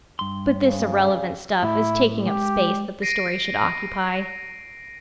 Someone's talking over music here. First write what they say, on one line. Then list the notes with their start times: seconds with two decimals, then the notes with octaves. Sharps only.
But this irrelevant stuff is taking up space that the story should occupy.
0.19 G2 C6
0.64 C#3
1.63 A2 E4
2.26 G#3 G4
3.02 A#6 C7 D7 D#7